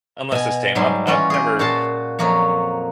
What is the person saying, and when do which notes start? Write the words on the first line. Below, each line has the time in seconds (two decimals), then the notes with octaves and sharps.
unless it's tame, I've I've never
0.32 B2 G#5
0.75 G#2 F#3 G3 E5 G#5 C6
1.07 E3 G3 C#4 F4 F#4
1.30 G4 G#4
1.59 A#2 F#4 F5 A5 C6
2.19 F2 F#3 A#3 F#4 C#5